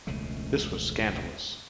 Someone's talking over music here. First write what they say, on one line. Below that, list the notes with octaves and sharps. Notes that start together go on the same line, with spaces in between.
This was scandalous.
E1 C#2 C#3 A3